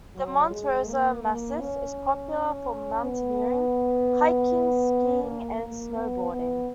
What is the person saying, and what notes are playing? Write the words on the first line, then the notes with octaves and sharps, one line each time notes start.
The Monte Rosa massif is popular for mountaineering, hiking, skiing and snowboarding.
F#3
G#3
A#3
A#3
C#4
B3
A#3
A#3
B3
B3